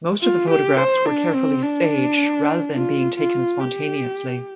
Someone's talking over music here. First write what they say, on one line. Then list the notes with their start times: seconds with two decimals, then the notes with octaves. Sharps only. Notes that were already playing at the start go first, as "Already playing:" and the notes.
Most of the photographs were carefully staged rather than being taken spontaneously.
0.22 F4
0.50 G4
0.77 C5
1.06 D4
1.34 C4
1.62 D4
2.76 F4
3.18 F4
3.60 G4